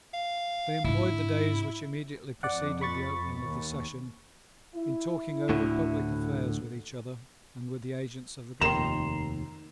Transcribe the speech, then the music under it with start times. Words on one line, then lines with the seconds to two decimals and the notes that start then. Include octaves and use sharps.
They employed the days which immediately preceded the opening of the session in talking over public affairs with each other and with the agents of the government.
0.13 F5
0.84 G#2 D4 E4
2.43 F2 D5 F#5
2.81 B5 C#6 A6
3.40 D#2
4.74 E4
5.49 D2 A2 D3
8.61 F1 D#2 D#3 D#4 A#5 C6 E7